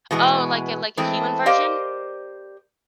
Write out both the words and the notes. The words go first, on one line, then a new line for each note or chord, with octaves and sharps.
Oh, like, a like, a human version?
B2 E3 G#3 A3 B3
E3 G#3 A3 C4
G4 A#4 C5 D5 D#5 F5